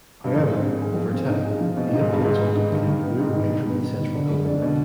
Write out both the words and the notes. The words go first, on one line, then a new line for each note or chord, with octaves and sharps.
However, over time, the influence ultimately would move away from the central government.
G2
G#2 F3
C4
D#4
G#4
F3
C4
D#4
G#4
F3
B2 C4
B2
D#4
G#2
G2 G#4
G#2 D#3
B3
D#4
G2 D#3
D#3
B3
G#2 D#4
D#3
B2
D#3
B3
D#4
D#3
D3
G#3
D4
B2 D3